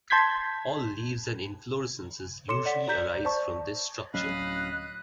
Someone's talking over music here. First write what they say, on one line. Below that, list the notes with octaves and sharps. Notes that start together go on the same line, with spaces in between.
All leaves and inflorescences usually arise from this structure.
A5 C6 G6 G#6 B6
A4 C#5 C6 D6 C#7 E7
D5 F#5 B6
D5 A#5 G6 B6
C5 D5 A5 C#6
D1 F#3 C#4 D#5 F5 B5 F#6